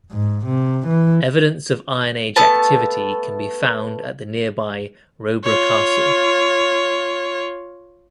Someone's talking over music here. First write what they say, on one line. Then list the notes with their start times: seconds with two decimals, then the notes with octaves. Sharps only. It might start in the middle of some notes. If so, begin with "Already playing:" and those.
Evidence of Iron Age activity can be found at the nearby Roborough Castle.
0.12 G#2
0.46 C3
0.87 E3
2.36 A3 B3 A5
5.44 F4 C#5